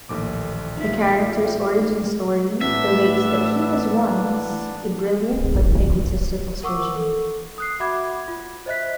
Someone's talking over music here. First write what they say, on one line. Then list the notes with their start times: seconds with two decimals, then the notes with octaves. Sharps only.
The character's origin story relates that he was once a brilliant but egotistical surgeon.
0.09 A#1 D#2 A2 E3 A4 D6
0.77 D#4 F4 E5
2.61 A2 E3 B3 D4 E5
6.63 A#4 F#5 C#6 D6 E6
6.96 A4
7.58 D#6 F#6 C7
7.80 F#4 E5 F#5 B5 D6 G#6
8.28 F4
8.66 C5 D#5 E5 F#6 B6